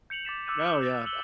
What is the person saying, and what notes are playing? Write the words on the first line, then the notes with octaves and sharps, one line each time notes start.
Oh, yeah,
G6 C#7 F7 F#7
D6 A6 B6 E7
D6 E6 F#6 G6 A6 D#7
G6
A6
E6 F#7 G7